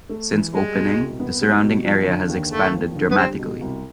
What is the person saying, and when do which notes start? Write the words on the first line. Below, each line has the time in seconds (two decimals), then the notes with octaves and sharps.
Since opening, the surrounding area has expanded dramatically.
0.09 A3
0.32 E3
0.53 G3 G#3
0.75 B2
0.98 C2
1.20 B3
1.41 G3
1.63 B2
1.85 F3
2.07 D3
2.29 D#2
2.51 D#2 A3
2.73 F3
2.95 D3
3.11 B3
3.17 G3 C4
3.39 B2
3.61 C2